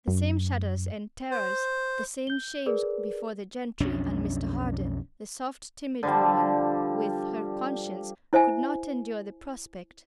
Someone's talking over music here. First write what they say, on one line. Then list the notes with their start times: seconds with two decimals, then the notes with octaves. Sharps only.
The same shudders and terrors, the same shames before the gentry and Mr. Harden!--the soft, timid woman with her conscience could not endure the prospect.
0.08 F#2
1.31 C5
2.27 G6 G7
2.66 G#4 A#4 B4 D5
3.80 B1 F2 C#4 D4
6.03 D3 F3 G3
8.33 E4 C5 E5 G#5